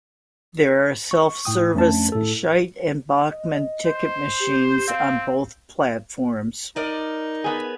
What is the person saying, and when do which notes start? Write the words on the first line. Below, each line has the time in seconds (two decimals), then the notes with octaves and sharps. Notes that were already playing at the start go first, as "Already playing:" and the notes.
There are self-service Scheidt and Bachmann ticket machines on both platforms.
1.11 C#6
1.45 A2 G5 D#6
1.74 F2 A3 C#4 D4 A5
2.12 A2 A4
3.30 D#5
3.86 C5
4.40 G4
4.88 C4 F5
6.76 D#4 A#4 D5 D#5
7.44 B3 G#4